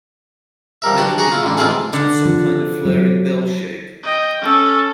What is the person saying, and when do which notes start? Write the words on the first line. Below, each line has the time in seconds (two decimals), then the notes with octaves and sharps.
Many wind instruments have some kind of flaring bell shape.
0.82 F3 G3 A#4 E5
0.98 D4 F#4 G4
1.18 G#4 F#5 G#5 A#5 C#6
1.32 E4 F4
1.43 A1 D3
1.58 A1 F2 B2 E4 F4 G#4
1.93 D3
2.25 F3
2.85 F#3
4.03 D#5 G5
4.42 C#4 A4